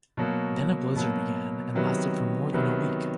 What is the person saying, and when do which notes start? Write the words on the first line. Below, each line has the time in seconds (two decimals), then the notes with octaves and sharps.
Then a blizzard began, and lasted for more than a week.
0.17 B2 F#3 A#3
0.96 B2 F#3 A#3
1.75 C3 D#3 F#3 B3
2.53 C3 D#3 F#3 B3